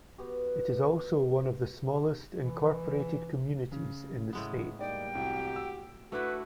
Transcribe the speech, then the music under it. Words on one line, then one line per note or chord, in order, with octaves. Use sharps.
It is also one of the smallest incorporated communities in the state.
B3 F#4 G4
E3
C#3
A2 G#3 B3
G3 A#3 D#4 D5 G5
C2 F#4 G4
E6
A3 D4 E4 F#4 B4